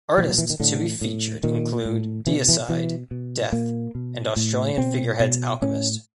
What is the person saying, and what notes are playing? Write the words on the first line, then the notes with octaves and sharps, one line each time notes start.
Artists to be featured included Deicide, Death and Australian figureheads Alchemist.
A#2 F3
F#3
E3
D#3
A2 D3
A2
A#2 D#3
A2
B2 E3
E3
B2 E3
B2
A#2 A#3
B2
A2
B2 C4
B2
A2 C#4